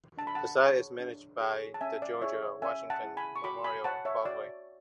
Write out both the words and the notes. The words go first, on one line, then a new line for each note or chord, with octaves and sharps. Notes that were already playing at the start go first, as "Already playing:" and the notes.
The site is managed by the George Washington Memorial Parkway.
D4 A5
B5
F#5 A5
G#4 C#5
D4
G#4 C#5
A5
C#4 E5 G#5
D5
E4 G#4 C#5 E5
C#4 E5 G#5
F#5 A5
E4 G#4
G#5 B5
C#6
F#4 B5 D6
G#5 B5
C#5 F#5 A5
C#5 E5
F#4 D5